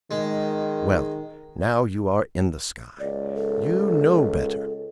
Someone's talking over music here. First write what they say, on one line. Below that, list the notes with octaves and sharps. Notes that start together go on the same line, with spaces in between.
Well, now you are in the sky, you know better.
D#3 G#3
C#2 D5
A4